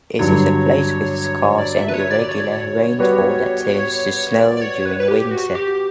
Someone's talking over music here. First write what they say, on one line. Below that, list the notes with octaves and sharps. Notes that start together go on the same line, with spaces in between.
It is a place with scarce and irregular rainfall that turns to snow during winter.
G2 D3 F#3 C#5
D5
E5
B4
C#5
D5
C#5
D5
C#5
G3 B3 F#4 B4 D5
C#5
D5
D5
C#5
B4
C#5
B4
G4
F#4
G4